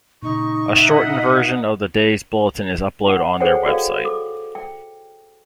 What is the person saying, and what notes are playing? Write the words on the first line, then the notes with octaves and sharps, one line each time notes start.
A shortened version of the day's bulletin is upload on their website.
A#2 C#3 D#4 C#6
D#5 E5 F#5
F4 F#5
G#4 A4 C5 C#5 F#5 G5
F#4 G#4 A4 D5 F5 G5
A4 D6
G5